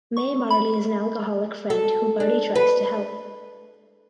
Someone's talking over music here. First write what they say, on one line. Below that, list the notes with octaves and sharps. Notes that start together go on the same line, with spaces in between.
May Marley is an alcoholic friend who Buddy tries to help.
C#6
B5
A4
D4
B4